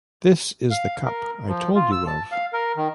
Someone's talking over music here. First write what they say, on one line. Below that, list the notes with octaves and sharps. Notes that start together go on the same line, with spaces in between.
This is the cup I told you of.
F5
A#4
F3
F4
E6
A5
F5
A#4
D#3